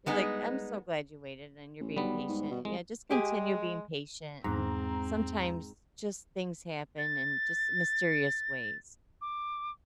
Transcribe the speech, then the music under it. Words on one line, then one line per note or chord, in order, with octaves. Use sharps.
you're like I'm so glad you waited and you're being patient. Yeah, just continue being patient and sometimes, just things happen in just mysterious ways.
G3 G#3 B3 D#4 D#5
A1
B1 G3 B3
G#2
B2
C2 G#3
G#3 G4 G#4
E2 G#2 C4 A#5
A6
D6